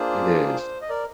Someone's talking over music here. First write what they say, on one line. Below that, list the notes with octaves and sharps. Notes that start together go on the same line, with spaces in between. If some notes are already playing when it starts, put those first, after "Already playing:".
It is.
Already playing: A#3 D4 F4 G#4 C5
D#5
A#4 D5